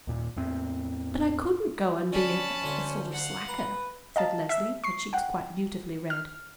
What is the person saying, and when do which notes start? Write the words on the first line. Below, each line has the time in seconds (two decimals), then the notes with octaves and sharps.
"But I couldn't go and be a--a sort of slacker!" said Leslie, her cheeks quite beautifully red.
0.07 D#2 A#2
0.36 E2 A2 C4
2.12 D3 C#4 A5 B5
2.62 D2 D3 C5
3.11 F5 F#5
3.48 B4 A#5
4.16 D#5 F5 A5 A#5
4.49 E5 E6
4.84 C#6 C7
5.13 F#5 G5
6.10 F6